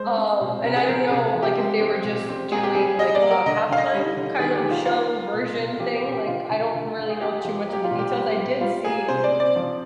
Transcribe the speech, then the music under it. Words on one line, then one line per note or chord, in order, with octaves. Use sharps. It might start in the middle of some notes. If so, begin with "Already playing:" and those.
Um, and I don't know, like, if they were just doing, like, a halftime kind of show version thing, like, I don't really know too much of the details, I did see,
Already playing: G#3 C5
C4
A#2
C3 A#4
G#4
F3 A#4
C3 G#4
F3
G4
G#3
C4
A#2
C4
A#3 G#4
G4
G3 G#4
G3 D#5
D5
A#3
A#4
D3 D#5
D3 F5
D#5
G3
D3
D#3 G#4
G4
D#3
F4
A#3 F4
A#3
A#2
A#2
F3 G4
G4
A#2
G4
D3 F4
D3
D3
D3
G#4
A#3 G4
F3
A#3
G4
F4
A#2
G4
G3
G3
G3 F4
A#3 G#4
C3 C5
D5
C4
D5
F3